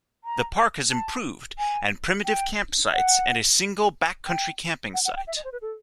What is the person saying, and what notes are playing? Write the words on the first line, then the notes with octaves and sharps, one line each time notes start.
The park has improved and primitive campsites and a single backcountry camping site.
A#5
A5
G#5
G5
F#5
G5
F#5
F#5
G5
E5
D#5
C5
B4
A4